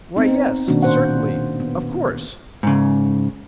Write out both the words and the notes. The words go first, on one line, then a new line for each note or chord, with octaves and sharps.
Why yes, certainly, of course!
B3 C4 D#4
B2 D#3 A#3 C#4 D4 F#4
A#2 C5 F#5
B3
G#2 C#3